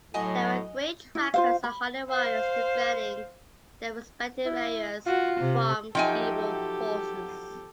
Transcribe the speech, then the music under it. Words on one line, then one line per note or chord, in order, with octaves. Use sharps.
They were great trackers and hardy warriors-defending their respective areas from evil forces.
A2 F#3 D#5 F#5 G#5
E4
F4 C5 F5
B5
C5 F5
E4
F4 F#4
C3
F3 F#3 D#4 G4 A4 E5 G5 G#5